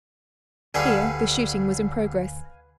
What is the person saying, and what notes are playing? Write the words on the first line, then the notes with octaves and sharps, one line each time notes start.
Here the shooting was in progress.
D2 D3 G3 G#4 B4 F5 F#5 G#5